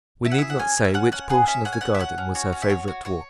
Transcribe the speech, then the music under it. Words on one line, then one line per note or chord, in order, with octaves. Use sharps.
We need not say which portion of the garden was her favorite walk.
E4 E5
F#5
G#4 E5
F#5
C#4 G#5
C#4
E5
C#4 F#5
C#4 F#5
G#4 F#5
C#4 E5
C#4 F#5
G#5
C#4 F#5
E5
C#4 F#5
C#4
F#4 C#5
C#4
E5
F#4 C#5
F#4
F#4 C#5